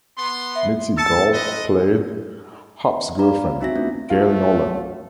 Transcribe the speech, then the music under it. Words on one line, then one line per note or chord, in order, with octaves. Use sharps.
Mitzi Gould played Hop's girlfriend, Gail Nolan.
B3 C6
E5
A5 E6 A6 C#7
B4 C5 D#5
D5 F5 G#5 A#5 B5
C4 D#4 F#4 E5 G#5 A#6
A3 B3 C4 D4 F4 B4
F#3 A3 F4